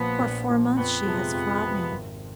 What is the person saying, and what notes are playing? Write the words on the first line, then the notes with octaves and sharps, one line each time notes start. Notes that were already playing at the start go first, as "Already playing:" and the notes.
For four months she has fought me.
Already playing: A#1 A#2 F3 B3
A#1
A#2 F3
F2 B3
C3 F3 G#3
F2
C3 F3 G#3
G#1